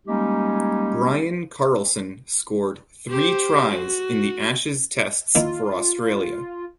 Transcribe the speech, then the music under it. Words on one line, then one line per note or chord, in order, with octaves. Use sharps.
Brian Carlson scored three tries in the Ashes Tests for Australia.
G3 G#3 A#3 C#4 D#4 G4
G4 C5
F#4
D#3 A#3 E4 F4